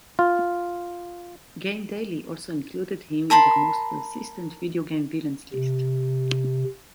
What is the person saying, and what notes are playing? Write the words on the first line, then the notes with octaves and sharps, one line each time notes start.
GameDaily also included him in their most persistent video game villains list.
F4
A#4 A5 B5 C6
C3